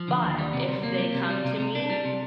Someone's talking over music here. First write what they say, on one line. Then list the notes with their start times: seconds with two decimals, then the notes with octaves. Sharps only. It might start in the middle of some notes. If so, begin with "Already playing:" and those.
But if they come to me
Already playing: F3
0.08 D3
0.23 D#2
0.38 G3
0.53 C3
0.68 C3
0.83 A#3
0.98 G3
1.14 C3
1.30 G3
1.45 C3
1.59 C3
1.75 D4
1.90 G3
2.05 C3